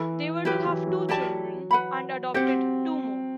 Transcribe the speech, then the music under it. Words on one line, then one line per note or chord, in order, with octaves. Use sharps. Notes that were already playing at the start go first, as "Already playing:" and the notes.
They were to have two children, and adopted two more.
Already playing: E3 A4 E5 B5
F#3 E4 G4 B4
E3
F#3
E4 G4 D5 A5
B4 F#5 B5
C4 G4 C5 F#5